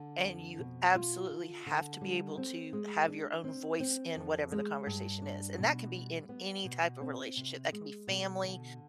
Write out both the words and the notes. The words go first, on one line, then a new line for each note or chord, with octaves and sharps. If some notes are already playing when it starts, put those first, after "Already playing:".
and you absolutely have to be able to have your own voice in whatever the conversation is, and that can be in any type of relationship, that can be family,
Already playing: D3
F2
B2
F4
D3
D3
G3
C4
G#3
D4
C4
C4
F2
G#3
G2
D4
B2
G3
B3
B2
C4
C3
G#3
B2
D3